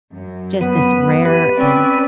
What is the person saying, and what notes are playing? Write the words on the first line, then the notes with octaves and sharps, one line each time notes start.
just this rare and
F#2
B3 B4
G4 B4
C4 C#4 D5